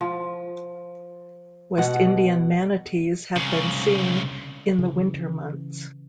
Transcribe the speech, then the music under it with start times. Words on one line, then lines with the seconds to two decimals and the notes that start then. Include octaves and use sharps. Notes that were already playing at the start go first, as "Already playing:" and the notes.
West Indian manatees have been seen in the winter months.
0.01 F3
1.78 B2 F#5
3.36 C2 C#3
4.79 C#3 E3